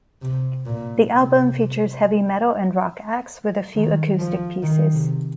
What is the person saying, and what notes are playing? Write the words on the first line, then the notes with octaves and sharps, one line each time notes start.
The album features heavy metal and rock acts with a few acoustic pieces.
C3
A#2
C3
D#3
F3
D#3
C3